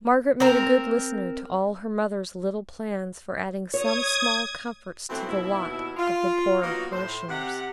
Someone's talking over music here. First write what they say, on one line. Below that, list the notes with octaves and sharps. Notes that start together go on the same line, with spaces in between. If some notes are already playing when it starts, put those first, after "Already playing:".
Margaret made a good listener to all her mother's little plans for adding some small comforts to the lot of the poorer parishioners.
C4 A#4
C#5 D#6 G#6
B2 E3 A3 C4
D#2 B2 E4
F4
F#3 A#3 B3 D#4 F4 F#4
A2 C5
C3 G4 F#5